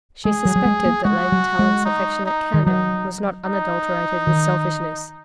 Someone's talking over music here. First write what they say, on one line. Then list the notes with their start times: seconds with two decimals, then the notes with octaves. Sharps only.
She suspected that Lady Tallant's affectionate candour was not unadulterated with selfishness.
0.25 G#3 G#4
0.45 F#3
0.56 F#3
0.65 G#3
0.85 A#3
1.05 G#3 F#4
1.32 F#3
1.59 G#3
1.85 D#4
2.25 D#4
2.54 D#3
2.65 F#3 D#4
3.46 D#4
4.27 D#3